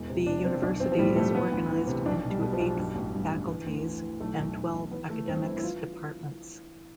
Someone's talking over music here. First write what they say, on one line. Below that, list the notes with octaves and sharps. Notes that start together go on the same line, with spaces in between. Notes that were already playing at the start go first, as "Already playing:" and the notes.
The university is organized into eight faculties and twelve academics departments.
Already playing: E1 E2
C3
C3 D4
E1 C4
B1 D4
B1 C4
F3
A2 G3
B1 A3
E3 B3
D2
E3
C3
B1 D4
B2
G3
B2
F3
B1
G2 G3
A1
G2
D3
E3
D2
E3
E3
B1 A3
B1
B1
B1
E3 B3
E3 A3
G1 C4
E3 E4
E4
E3 F4